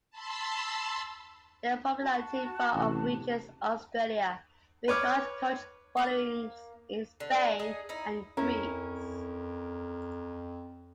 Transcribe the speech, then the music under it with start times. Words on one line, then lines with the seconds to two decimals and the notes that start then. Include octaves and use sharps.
Their popularity far outreaches Australia, with large cult followings in Spain and Greece.
0.11 A5 B5 C6 E6
2.01 F#4 A5
2.73 A1 C3
4.88 B4 C#5 D6 F6
5.97 A#3 F5
7.20 D3
7.59 D#4 G#4
7.89 D#4 E4
8.37 F2 C#4 E4 A#4